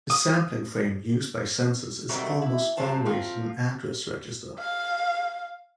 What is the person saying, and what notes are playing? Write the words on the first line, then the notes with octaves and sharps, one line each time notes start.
The sampling frame used by census is almost always an address register.
D#6
B2 D#3 F#3 G3 A3 C4
E4
G2 C3 F#3 C4 C5 A5
F3 C4 F4
F5